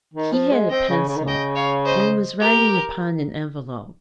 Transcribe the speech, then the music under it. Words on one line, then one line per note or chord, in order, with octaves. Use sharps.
He had a pencil, and was writing upon an envelope.
D#3
F3
G#3
C4 D#5 G5
C#3
C#3
D#3
C#3 D#5 G5
C#5 F5
C5 D#5
G4 A#4